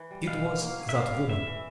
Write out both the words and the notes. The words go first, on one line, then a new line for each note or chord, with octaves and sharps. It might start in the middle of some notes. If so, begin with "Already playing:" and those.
It was that woman.
Already playing: E3
G3
B2 F5
F#3
A#3
C#4
E5
E3 F5
G3
A2 E5
E3